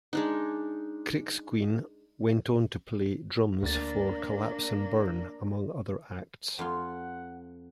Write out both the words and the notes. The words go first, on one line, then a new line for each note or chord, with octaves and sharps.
Kriksciun went on to play drums for Collapse and Burn, among other acts.
G#3 D4 D#4
D2 A#3 D4 A6
F2 F4 F#5